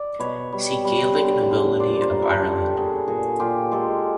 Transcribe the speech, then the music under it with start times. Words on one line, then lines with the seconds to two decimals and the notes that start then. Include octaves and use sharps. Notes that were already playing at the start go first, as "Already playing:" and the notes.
See Gaelic nobility of Ireland.
Already playing: D5
0.19 B2 B4 C#5
0.52 G3
0.85 G3
1.16 D3
1.49 D3
1.80 A#2 C5 D5
2.01 A#4 C5
2.12 G3
2.22 A4 B4
2.45 G3
2.76 A#2 F#4 G#4
3.08 A#2 F#4 G#4
3.40 A#2 F4 G4
3.72 G#3 G4 A4